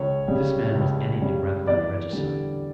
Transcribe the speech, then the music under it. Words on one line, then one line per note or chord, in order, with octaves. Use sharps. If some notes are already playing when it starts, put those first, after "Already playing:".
But this man was anything rather than a regicide.
Already playing: C#2 C#5
C#3 G3
C#2
C#3 G3
E2 D5
D3 G3